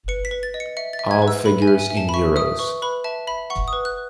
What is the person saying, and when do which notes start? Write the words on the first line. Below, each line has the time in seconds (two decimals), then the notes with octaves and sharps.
All figures in Euros.
0.08 B4 C#7
0.25 B6
0.31 B4
0.43 A6
0.54 D#5
0.60 C#7
0.77 E5 C#7
0.93 A6
0.99 E5
1.11 G#6
1.22 B4
1.28 E6
1.45 B4 B5
1.62 G#5
1.68 E5
1.79 G#5
1.90 E5
1.97 A5
2.09 B5
2.14 E5 C#6
2.36 E5 D#6
2.59 B4 C#6
2.82 B4 B5
3.04 E5 A5
3.27 E5 B5
3.50 F#5 C#6
3.68 D#6
3.73 B4
3.85 F#6